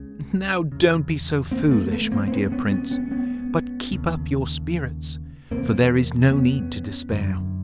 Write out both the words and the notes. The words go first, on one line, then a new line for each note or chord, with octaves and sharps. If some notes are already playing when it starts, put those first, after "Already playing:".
'Now, don't be so foolish, my dear Prince; but keep up your spirits, for there is no need to despair.
Already playing: C#2 C#3
E2 C#3
A#3 C4
A3 B3
A3 B3
A#3 C4
C4
C#2 C#3 B3 C#4
B3 C#4
B3 C#4
B3 C#4
B3 C#4
D#2 C#3
E2 C3 A#3 C4
B3 C#4
F#2 D3